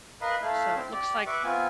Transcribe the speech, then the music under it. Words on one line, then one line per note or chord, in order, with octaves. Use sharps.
so, it looks like
A#4 B4 D#5 F5 B5
A3 E4 F5
C4
G4 D5
B4 E5 C#6 D6
B3 C4 F4 G#5